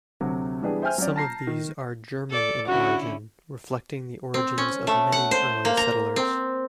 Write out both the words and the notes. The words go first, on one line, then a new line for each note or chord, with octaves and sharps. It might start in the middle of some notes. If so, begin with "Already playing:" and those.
Some of these are German in origin, reflecting the origins of many early settlers.
D2 C3 F#3
E3 G3 B3 D4 G#4
C5 E5 G5 G#5 F6 G6
F#3 C#4 D5
A5 A#5 A#6 C7
D#3
A4 D5
D3 C#4 E4 F#4
C4
C#4
A3
F#5
C5
A#3
A#5
C4